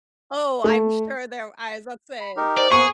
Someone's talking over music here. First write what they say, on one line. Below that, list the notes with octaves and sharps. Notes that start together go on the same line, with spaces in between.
Oh, I'm sure there I was about to say.
A3
B5
D#4 G4 A#4
C5 D5
A#3 B3 G#4 F#5 C#6